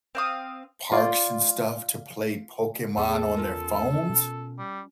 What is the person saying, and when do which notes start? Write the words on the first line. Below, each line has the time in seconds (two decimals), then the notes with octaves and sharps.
parks and stuff to play Pokemon on their phones.
0.15 C4 F5 D#6
0.92 F4 D5
2.97 E2 C#3 B3 G#4 A4 E5
3.37 C#4 F4 A#4
4.09 B2
4.58 G3